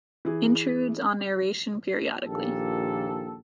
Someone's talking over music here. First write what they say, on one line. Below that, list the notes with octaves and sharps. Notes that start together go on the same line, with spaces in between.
Intrudes on narration periodically.
E3 G#4
A#1 D#2 A#2 G4 A4